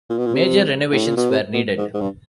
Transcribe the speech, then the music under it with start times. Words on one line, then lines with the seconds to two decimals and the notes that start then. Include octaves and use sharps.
Major renovations were needed.
0.10 A#2
0.18 B2
0.26 A#2
0.34 C3
0.92 A2
1.05 A#2
1.17 B2
1.29 C3
1.53 B2
1.78 G#2
1.94 G#2
2.01 G2